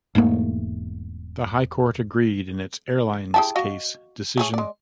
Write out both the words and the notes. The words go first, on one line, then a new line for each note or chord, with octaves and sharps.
The High Court agreed in its "Airlines Case" decision.
E1 G#2 A3 A#3
E4 G4 G#4 A5
F#4 D#5 F5
A3 G#4 C#5
G#3 D5